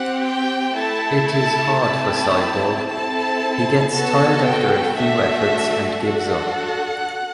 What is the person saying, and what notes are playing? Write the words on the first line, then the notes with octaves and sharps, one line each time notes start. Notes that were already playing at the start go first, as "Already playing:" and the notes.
It is hard for Cyborg, he gets tired after a few efforts and gives up.
Already playing: C4 G4 F#5
G5
A3 E4 A4 A5
A5
A3 C4 E4 G4 A5
C4 E4 A4 A5
B3 F#4 A4 A5
G5
A3 D4 F#4 A4 E5
D4 F#4 A4 F#5